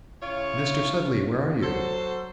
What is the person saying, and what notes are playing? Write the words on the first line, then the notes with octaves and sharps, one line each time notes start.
"Mr. Sudley, where are you?"
C#3 E4 F4 C#5
F#3 A4 C5